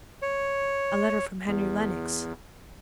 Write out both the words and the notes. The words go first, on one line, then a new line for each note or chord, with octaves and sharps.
'A letter from Henry Lennox.
C#5
E2